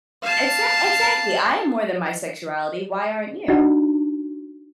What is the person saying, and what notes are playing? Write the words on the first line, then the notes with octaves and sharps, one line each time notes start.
Exact exactly, I am more than my sexuality, why aren't you?
F5 A5
D4 D#4 F#4